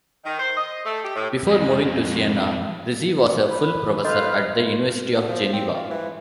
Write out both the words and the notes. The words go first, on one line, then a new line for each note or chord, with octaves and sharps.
Before moving to Siena, Rizzi was a full professor at the University of Geneva.
D#3
C5
D#5
A3
G4
A2
F2 G#3
B4
B3 A4 B4 C5 D#5 F5
D3
F3
C4
F4
E3